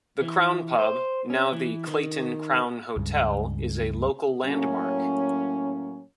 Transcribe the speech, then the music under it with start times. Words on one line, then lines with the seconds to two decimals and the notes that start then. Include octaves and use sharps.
The Crown pub, now the Clayton Crown Hotel, is a local landmark.
0.21 E3
0.79 C5
1.30 C#4
1.53 E3
1.88 D#3
2.97 C#2 G2 C#3
4.45 A2 F#3 A#3 C#4